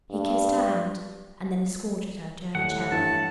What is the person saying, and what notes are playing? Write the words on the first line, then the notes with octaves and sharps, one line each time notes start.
He kissed her hand, and then escorted her to her chair.
G2
D#2 A2 F#5
G2 E3 A5